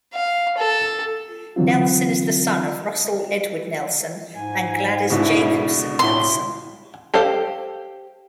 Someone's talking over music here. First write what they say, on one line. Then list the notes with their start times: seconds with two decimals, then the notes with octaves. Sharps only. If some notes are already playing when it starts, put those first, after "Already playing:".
Nelson is the son of Russell Edward Nelson and Gladys Jacobsen Nelson.
0.14 F5
0.58 A4
1.56 D3 E3 F#3 C4 F4
4.36 G#2 G#5
5.10 C#2 B2 D3 E4
5.99 A2 E4 C6
7.14 G4 A4 C5 F5